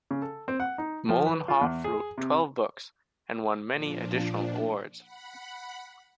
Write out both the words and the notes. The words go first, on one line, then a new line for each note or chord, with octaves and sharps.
Mollenhoff wrote twelve books and won many additional awards.
C#3
A4
C4
F#5
D#4
F3
B4
F4
E2
G#4
C3
A#2 F3 D4
F#5 B5